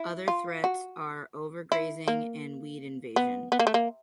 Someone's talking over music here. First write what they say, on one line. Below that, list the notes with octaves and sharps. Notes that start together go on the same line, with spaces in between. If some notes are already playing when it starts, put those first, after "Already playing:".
Other threats are overgrazing and weed invasion.
Already playing: E4
F4
F#4
E4
A#3
B3
B3
A#3
A3
A#3